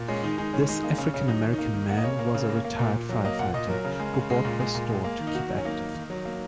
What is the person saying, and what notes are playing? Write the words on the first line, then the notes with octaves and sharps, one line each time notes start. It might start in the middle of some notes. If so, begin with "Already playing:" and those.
This African-American man was a retired firefighter who bought the store to keep active.
Already playing: A#2
G#3 C#4
D#3 D#4
G#3 D#4
D#3 C#4
G#3 D#4
A#3 D#4
C#3 C#4
C#3 C#4
F#3 D#4
D#3 C#4
D#4
A#3
D#3
A#3 F#5
D#5
C#3 C#5
A#3
C#3
A#3
A#3
A#2
A#2
F#3
A#3 D#5
A#2 F#5
A#2 D#5
F#3 A#4
C#3
G#3
C#3
G#3
A#2
G#3
A#2
G#3
A#3
D#3
D#4
D#3 F#4
F#3
C#4
A#3 D#4
D#3
D#3
F#3
A#3